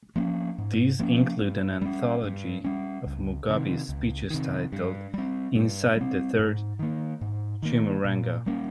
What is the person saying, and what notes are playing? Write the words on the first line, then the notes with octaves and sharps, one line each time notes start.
These include an anthology of Mugabe's speeches titled "Inside the Third Chimurenga".
F3 A#3 C#4
G#2
F3 A#3 C#4
G2
G3 C#4
G2
G3 C#4
C#2
C3 D#3
C#2
C3 D#3
G2
G3 C4
G2
G3 C4
G#2
D#3 A#3
G#2
D#3 A#3
A#2
G3 A#3 C#4